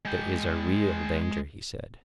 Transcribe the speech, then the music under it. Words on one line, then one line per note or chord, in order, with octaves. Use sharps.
There is a real danger, he said.
G#3 G5